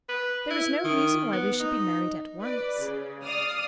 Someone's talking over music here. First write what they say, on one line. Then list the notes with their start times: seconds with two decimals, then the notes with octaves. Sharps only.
"There is no reason why we should be married at once."
0.09 B4
0.50 E4
0.84 D#3
1.33 B3
1.60 D#4
2.40 B4 D5
2.80 C#3
3.24 D5 F5 D#6 F6